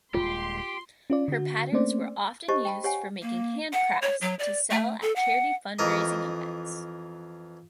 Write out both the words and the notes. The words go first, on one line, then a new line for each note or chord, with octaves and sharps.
Her patterns were often used for making handcrafts to sell at charity fundraising events.
D#1 E2 G#3 F4 G4 C6
C#4 F4 D5
D3 F#4
A3 A#3 C4 C#4 C5 D5
D4 G4 C5 D#5 A5 C#6
G5 A5 B5
G4 C#5 F#5 G#5
A#3
F#5
C#5
F#3
D5
A3
A4
F#5
F2 E3 A#4 D#5